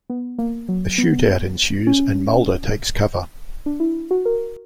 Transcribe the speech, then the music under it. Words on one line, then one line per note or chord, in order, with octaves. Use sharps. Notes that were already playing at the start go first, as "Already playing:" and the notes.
A shootout ensues, and Mulder takes cover.
B3
A#3
F#3
B3
C#4
D4
E4
F#4
A#4